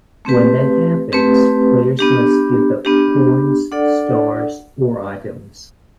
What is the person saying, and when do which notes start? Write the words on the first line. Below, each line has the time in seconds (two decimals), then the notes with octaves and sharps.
When that happens, players must give up coins, stars or items.
0.25 A3 C4 G4 B4
1.12 A3 C4 G4 B4
1.99 B3 D4 G4
2.85 B3 D4 G4
3.72 D4 A4 D5 F#5